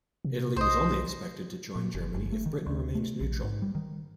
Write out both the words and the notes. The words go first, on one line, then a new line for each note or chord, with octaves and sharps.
Italy was only expected to join Germany if Britain remained neutral.
C3
B1 C5 D#5
A#2
F#1
G1
A3
D#3
D2
A3
A#1
G#2
G3
D#3